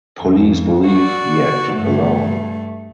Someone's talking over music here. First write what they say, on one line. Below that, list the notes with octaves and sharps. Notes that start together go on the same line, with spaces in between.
Police believe he acted alone.
F2
F#4 D5
G2 A3